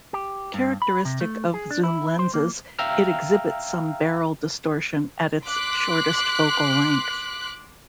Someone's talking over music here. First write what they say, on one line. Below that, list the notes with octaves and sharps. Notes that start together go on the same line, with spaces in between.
Characteristic of zoom lenses, it exhibits some barrel distortion at its shortest focal length.
G4
G2
B5
C3
A3
G#4
D4
E4
C5
A#3
E5 F5 G5 A#5 E6 F6
C6 D6 F#6 B6